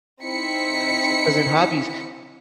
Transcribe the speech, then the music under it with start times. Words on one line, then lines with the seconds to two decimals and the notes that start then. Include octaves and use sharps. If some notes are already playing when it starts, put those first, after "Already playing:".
Yeah, so 'cause in hobbies,
0.24 C4 D#4 E4 B6 C#7